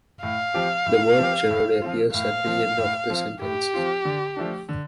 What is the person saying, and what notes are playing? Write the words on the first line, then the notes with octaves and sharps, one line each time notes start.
The verb generally appears at the end of the sentence.
A2 F5
F3 C4 G4
A2
F3 C4 G4
A2
F3 C4 F4
A2 F5
F3 C4 F4
A2
F3 C4 F4
A2 G4
F3 C4 F4
D3
F3 A3 D4
D3